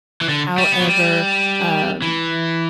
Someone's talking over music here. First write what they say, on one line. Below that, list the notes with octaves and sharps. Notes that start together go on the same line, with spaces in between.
However, um,
E3
D3
G3
B3
F#3
G3
E3